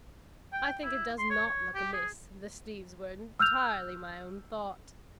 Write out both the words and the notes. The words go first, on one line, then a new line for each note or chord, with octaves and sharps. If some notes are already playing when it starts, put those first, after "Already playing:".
I think it does not look amiss; the sleeves were entirely my own thought.
G5
E4
C6
C#5
C#5
G4
G#4
E6 F6 G6 F7